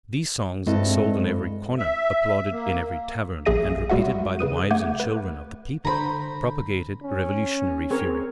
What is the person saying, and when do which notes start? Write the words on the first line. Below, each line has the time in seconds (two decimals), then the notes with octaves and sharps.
These songs, sold on every corner, applauded in every tavern, and repeated by the wives and children of the people, propagated revolutionary fury.
0.67 G2 G#3 C4 E4 A4 D#5
1.78 E5
2.52 A#3
3.45 A#1 A#3 G#4 E5 A#6 D#7
3.89 G3 G#3 F#4 E5 F#5
4.39 C#3 B4 D#6 D#7
4.70 A3 F#5 D6 G6 G#6
5.00 B4
5.85 D3 C5 A#5 B5
7.03 C#4
7.91 C4 G#4 A#4 C#5